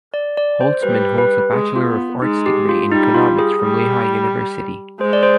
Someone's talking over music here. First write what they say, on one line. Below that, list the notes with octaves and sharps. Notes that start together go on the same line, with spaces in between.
Holtzman holds a Bachelor of Arts degree in Economics from Lehigh University.
D5
D5
C5
G3 B4
B4
G#3 G#4
F4
B3
G#3 D#4
G4
F4
G3 D#4
F4
G#4
G3
G#3 C5
D5
C5